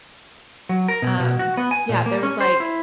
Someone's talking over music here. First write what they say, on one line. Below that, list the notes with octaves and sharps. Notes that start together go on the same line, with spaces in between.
Um, yeah, there was like,
F#3
A#4
B2
B2
F#4
B3
G#5
A#2
A#3
C#4
C5
E4